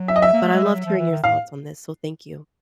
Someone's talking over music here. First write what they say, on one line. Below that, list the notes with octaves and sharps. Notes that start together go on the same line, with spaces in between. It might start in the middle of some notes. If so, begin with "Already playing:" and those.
But I loved hearing your thoughts on this, so thank you.
Already playing: F#3
E5
D#5
E5
A#3
A3
G#3
G3
F#3
F3
E3
D#3
A2 F5